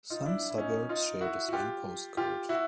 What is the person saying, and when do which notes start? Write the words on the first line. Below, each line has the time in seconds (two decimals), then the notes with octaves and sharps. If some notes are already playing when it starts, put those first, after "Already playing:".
Some suburbs share the same postcode.
0.10 D#4 F4
0.26 D4 E4
0.50 E4
0.58 C#4 D#4
0.89 D#4 F4
1.21 E4 F#4
1.49 F#4
1.53 F4 G4
2.17 F4 G4
2.49 E4 F#4